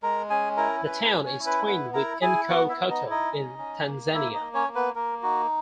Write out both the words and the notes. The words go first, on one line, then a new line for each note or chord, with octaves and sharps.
The town is twinned with Nkokoto, in Tanzania.
G#3 A#4 A#5
C#4 G#4 G#5
E4 A#4 A#5
C#4 B4 B5
B4 B5
C#4
C#5 C#6
E4
B4 B5
B3 B4 B5
E4 A#4 A#5
E4 G#4 G#5
B3 F#4 F#5
E4 E5
B3
D#4 D#5
E4
D#4 D#5
C#4
C#4
A#3
D#5
A#3 E4 E5
D#4 D#5
A#3
C#4 C#5
A#3
B3 B4
A#3 A#4
D#4 F#4